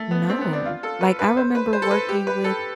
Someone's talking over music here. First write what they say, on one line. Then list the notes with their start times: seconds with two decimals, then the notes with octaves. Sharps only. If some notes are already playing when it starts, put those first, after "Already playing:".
No. Like, I remember working with
Already playing: A3
0.11 B3
0.30 C4
0.41 B3
0.53 D4
0.66 F4
0.83 A4
1.01 B4
1.19 B4
1.37 C5
1.55 B4
1.73 C5
1.82 A4
1.91 B4
2.09 G4
2.27 B4
2.44 A4